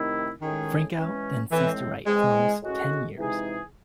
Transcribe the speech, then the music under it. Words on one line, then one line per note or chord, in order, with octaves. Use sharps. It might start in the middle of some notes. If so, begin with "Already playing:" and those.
Frankau then ceased to write for almost ten years.
Already playing: C3 D#3 A3 C4 E4
A2 D#3 G#3 C#4 G#4
E3 G#3 C#4
A2 E3 G#3 C4
E3 G#3 C4 E4 G#4
A2 G#3 C#4 F#4
C3 E3 G#3 D#4 G#4